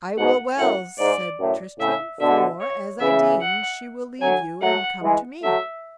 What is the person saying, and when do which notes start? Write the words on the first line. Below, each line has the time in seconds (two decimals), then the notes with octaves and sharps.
I will well, said Tristram, for, as I deem, she will leave you and come to me.
0.17 G#2 B2 F#5
0.58 F#2 A2 F#5
0.98 G#2 D5
1.39 F#2 A2
1.79 A2 C#3 E5
2.19 B2 D3 E5
2.60 C#5
3.00 C#3 E3 E5
3.41 F#5
4.21 D3 F#3 G#5
4.61 F#3 A3 F#5
5.02 E3 G#3
5.42 F#3 A3 E5